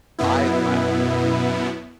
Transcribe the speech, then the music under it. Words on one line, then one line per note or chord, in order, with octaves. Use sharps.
I laugh,
F#2 B2 B3 E4